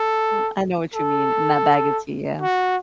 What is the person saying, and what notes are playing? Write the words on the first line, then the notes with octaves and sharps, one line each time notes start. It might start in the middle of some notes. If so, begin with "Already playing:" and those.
Well, I know what you mean, in that bag of tea, yeah.
Already playing: A4
A4
F#4